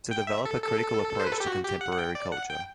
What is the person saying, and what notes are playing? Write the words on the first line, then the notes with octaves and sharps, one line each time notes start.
To develop a critical approach to contemporary culture.
G5
E5
A4
A4
C5
B4
A4
G4
F#4
G4
F#5
F#5
G5
D5
F#5
G5